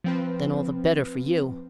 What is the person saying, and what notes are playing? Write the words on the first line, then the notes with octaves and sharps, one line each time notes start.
Then all the better for you.
F3 C4 B4